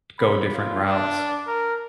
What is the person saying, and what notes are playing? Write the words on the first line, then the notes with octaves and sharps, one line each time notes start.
go different routes.
B5
F4
D4
A#4